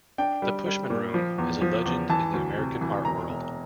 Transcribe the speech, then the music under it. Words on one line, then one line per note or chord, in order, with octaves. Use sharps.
The 'Pushman Room' is a legend in the American art world.
D4 G5
G3
G3
A#2
F3
E2
F3
E2
E3 A5
D2
C3
E3
E1 A#5
E1